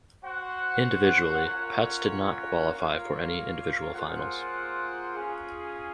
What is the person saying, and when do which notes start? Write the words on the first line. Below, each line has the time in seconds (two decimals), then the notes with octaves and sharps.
Individually Petz did not qualify for any individual finals.
0.23 F#4 C5 F#5
1.45 C#4 F4 A#4 C#5 F#5
2.69 A#3 F4 A#4 C#5 F5
3.93 A#3 F4 G#4 C5 F#5
5.16 C#4 F4 G#4